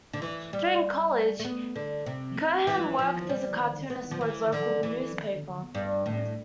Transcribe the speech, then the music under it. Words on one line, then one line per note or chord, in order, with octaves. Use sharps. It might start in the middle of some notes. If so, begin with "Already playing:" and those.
During college, Cohen worked as a cartoonist for his local newspaper.
D3
E3
G3
A3
B3
D3
C3
E3
F3
G3
B3
F3
E3
D3
E3
G2
A2